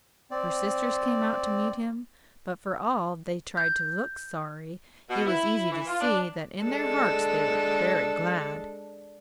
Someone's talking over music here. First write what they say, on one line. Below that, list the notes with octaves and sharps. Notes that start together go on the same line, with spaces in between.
Her sisters came out to meet him, but for all they tried to look sorry, it was easy to see that in their hearts they were very glad.
C4 D5
G6
B2
E4
E3
F4
D4
G#3 D4 A4